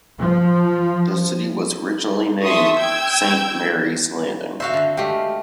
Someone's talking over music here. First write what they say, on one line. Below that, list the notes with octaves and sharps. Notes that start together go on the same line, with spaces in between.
The city was originally named Saint Mary's Landing.
F3
E5 A5 C6 C#6 D#6
G5 E6 G6 G#6
C4 F#4 C5 E5 F5
D3
G#3 A3 G4 F5